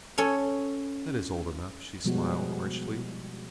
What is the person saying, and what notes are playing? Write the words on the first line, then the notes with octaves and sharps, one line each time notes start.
"That is old enough," she smiled, archly.
C#4 A4 C#5
B2 F3 G3 G#3 B3 F#4